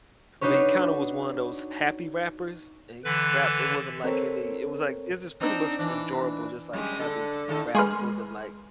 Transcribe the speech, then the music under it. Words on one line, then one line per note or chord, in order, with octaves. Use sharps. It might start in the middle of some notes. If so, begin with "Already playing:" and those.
but he kinda was one of those happy rappers, and he rapped it wasn't, like, any it was, like, it was just pretty much enjoyable, just, like, happy rap, wasn't, like,
D4 D#4 F#4 B4 C#5
D3 E3 B4
C4 A4 A#4 C5 C#5
C4 D4 D#4
E3 D4
F#2 G3 G#3
D3 A4
A2 D#3 A4
G#3 G#4 B4 C6 F6